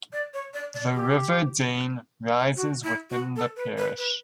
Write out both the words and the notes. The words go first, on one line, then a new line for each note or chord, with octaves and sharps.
The River Dane rises within the parish.
D5
C#5
D5
D5
G4
F#4
E4
F#4
A4
B4
B4
B4